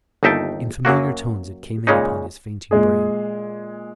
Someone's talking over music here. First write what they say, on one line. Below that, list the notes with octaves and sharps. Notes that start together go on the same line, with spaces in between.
In familiar tones it came in upon his fainting brain.
G1 D#2 D#4 E5 G5 A5
F#2 F#3 A#3 F#4
A#2 C#3 G#3 C#4 D#4
A#2 G#3 G#4